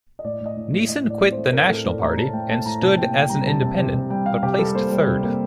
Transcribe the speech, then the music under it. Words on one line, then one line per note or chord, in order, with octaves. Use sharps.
Neeson quit the National Party and stood as an independent, but placed third.
D#5
A2 D5
A2
D#5
A2
A2
A2 D#5
A2
D5
C4
C5
A3
C4 A#4
A2 A4
A2 D5
A2 A#5
A2 A5
A3 G5
A3 A5
A2 A#5
C3 A5
A#3 G5
C3 G5
G3 A#5
C3 A5
C3
C3
C3
G3 G5
G3 F5
C3 G4
G3 A4
A#3 C5
G3
C3
A#3